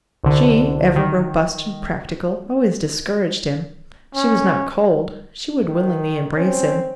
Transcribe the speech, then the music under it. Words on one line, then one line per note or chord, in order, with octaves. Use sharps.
She, ever robust and practical, always discouraged him. She was not cold; she would willingly embrace him.
C2 D3
D#3
C#4
D#3
C4 C#4